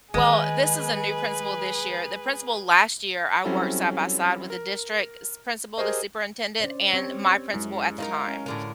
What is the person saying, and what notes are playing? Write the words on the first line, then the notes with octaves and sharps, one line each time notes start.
Well, this is a new principal this year. The principal last year, I worked side by side with the district s principal, the superintendent, and my principal at the time,
D#3 F#3 G#3 G#4 B4
F#3 G3 C4 C#4 E4 A4
A#4
G4 G#4 A#4 C5 D#5
C#4 C5 D5
C4 G4 C#5
F#2 G#3 E4
D#4 F#4 A#4 F5
C#4
A2 D3 A#4